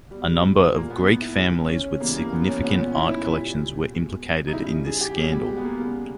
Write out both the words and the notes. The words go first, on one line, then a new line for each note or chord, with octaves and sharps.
A number of Greek families with significant art collections were implicated in this scandal.
B2 G3
A#2 G#3 A#3
B3
E4
C#3 G#3 G#4
C#4
C#3 E3 G3 A#3
A#3
B3
C#4
A#2 G#3 B3
C#4
E4
E4
A#2 G3
B2 G#3
D#4
C#3 G3 E4
G#4
G4
B2 G3 G#4
G4
G#3
B3
A#3
C#3 G3 G#3